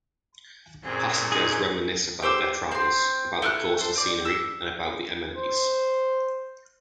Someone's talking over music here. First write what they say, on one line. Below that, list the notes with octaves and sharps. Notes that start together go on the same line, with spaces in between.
Passengers reminisce about their travels, about the coastal scenery, and about the amenities.
F#2 A#2 C4 G#4
D#4 G#4
G4 C5 D6 E6
C4 C6
A3 E4 F6 F#6
A4 C5
C4 D5
E6
C5